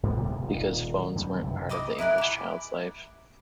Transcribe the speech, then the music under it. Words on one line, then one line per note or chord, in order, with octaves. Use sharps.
Because 'phones weren't part of the English child's life.
G2 G3 B3
F#1 C2 C3 G#3
D#1 D#3
F#2 D3 D#3 G3
C2 G2 C3
D#5 B5 D6 D#6
E4 A#4 F#5 G#5
B5 D6